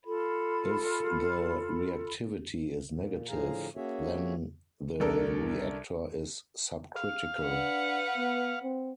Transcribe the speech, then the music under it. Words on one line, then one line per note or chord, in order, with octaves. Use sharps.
If the reactivity is negative - then the reactor is subcritical.
F4 A4 B5
A#2
A2 D3 F3 G#4 F5 A#5
A#3 C#4 F#4 G#4 C#5 E5
C2 D3 A4 A#4
F5
D4 B4 F#5
B3
C4